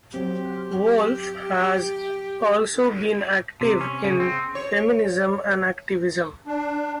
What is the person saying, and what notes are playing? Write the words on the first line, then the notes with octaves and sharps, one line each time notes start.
Wolfe has also been active in feminism and activism.
F#3 C4 G4
C3
C#4
C#3
C4
C#5
D4